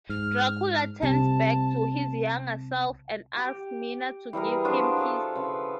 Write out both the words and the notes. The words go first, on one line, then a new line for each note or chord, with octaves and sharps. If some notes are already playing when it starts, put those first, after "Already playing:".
Dracula turns back to his younger self and asks Mina to give him peace.
G#2 F6
C2 C3 A5
G4
E3 G3 G#4 A#4
F3 D4 F4 F#4
A4 C#5 A5
C#3 B4